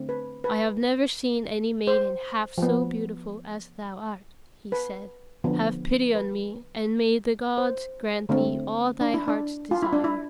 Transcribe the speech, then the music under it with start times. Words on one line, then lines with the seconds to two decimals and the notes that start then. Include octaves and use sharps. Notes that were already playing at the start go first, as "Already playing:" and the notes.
"I have never seen any maiden half so beautiful as thou art," he said. "Have pity on me, and may the gods grant thee all thy heart's desire."
Already playing: D3 A3 C4
0.09 B4
0.44 B4
1.87 C5
2.58 F3 B3
4.72 B4
5.44 D3 F3 B3
6.15 B4
7.58 C5
8.29 D3 A3 C4
9.01 D4
9.14 E4
9.28 D4
9.71 F4
9.83 E4
9.93 D4
10.04 E4